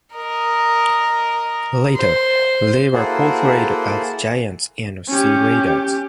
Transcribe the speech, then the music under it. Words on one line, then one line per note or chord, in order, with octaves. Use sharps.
Later, they were portrayed as giants and sea raiders.
A#4 D#5
C5
A#3 E4 F#4 G#4 A4 C5
C#4 G4